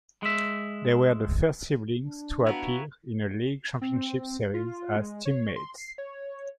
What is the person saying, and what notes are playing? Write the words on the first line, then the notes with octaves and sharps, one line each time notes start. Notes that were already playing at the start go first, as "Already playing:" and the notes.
They were the first siblings to appear in a League Championship Series as teammates.
G#3 E5
D4
B3 E4 F#4 B4 C#5 F5 G5 A#5
C4
F4
G#3
C#5
C6
C7
C#5